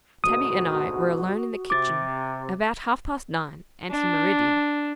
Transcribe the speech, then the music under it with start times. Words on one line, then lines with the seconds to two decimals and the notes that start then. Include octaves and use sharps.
Tabby and I were alone in the kitchen, about half-past nine ante-meridian.
0.24 D2 G#2 B2 F#4 D#6
1.70 C3 D6 A6
3.90 D4